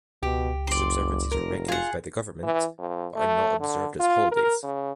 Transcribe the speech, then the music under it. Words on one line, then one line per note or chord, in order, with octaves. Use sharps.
These observances are regulated by the government, but are not observed as holidays.
C#2 B2 G4
F#1 D5 C6
F1 A#4
F4 G#4 F#5
E3
F2
A3
D3
F4
A#4
C#3